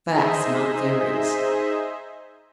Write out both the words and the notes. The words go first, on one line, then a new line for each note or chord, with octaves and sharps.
Facts, not theories.
D#4 G#4 C5 D#5 E5